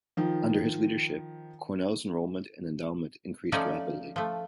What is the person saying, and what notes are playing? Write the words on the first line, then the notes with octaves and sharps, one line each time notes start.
Under his leadership, Cornell's enrollment and endowment increased rapidly.
D#3 F3
F3 A3 C#4 D#4 D5
F3 A3